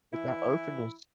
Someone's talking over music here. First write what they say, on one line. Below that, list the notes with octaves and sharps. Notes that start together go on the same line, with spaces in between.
but that openness
E3 E4